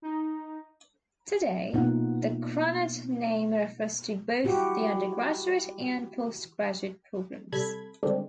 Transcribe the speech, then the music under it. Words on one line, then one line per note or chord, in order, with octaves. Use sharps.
Today, the Krannert name refers to both the undergraduate and post-graduate programs.
D#4
B2 A#3 B3 D#4 F4 F#5
E4 F#4 G4
C3 G3 A4 B5 G#6
D3 D#3 G3 G#3 C4 D4